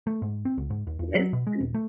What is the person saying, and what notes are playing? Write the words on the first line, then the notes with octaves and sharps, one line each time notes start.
this and
A3
G#2
C4
C#2
G#2
D#2
E2
F#3
B2
G#3
D#1
A3